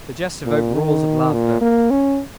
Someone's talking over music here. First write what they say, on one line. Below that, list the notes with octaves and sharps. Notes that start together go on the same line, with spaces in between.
The jests evoke roars of laughter.
A#2
D#3
A#2
A#3
C#4